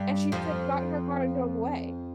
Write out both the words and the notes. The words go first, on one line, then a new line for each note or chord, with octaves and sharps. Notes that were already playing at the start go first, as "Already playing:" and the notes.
And she's, like, got in her car and drove away.
Already playing: G2 G3
F2 F3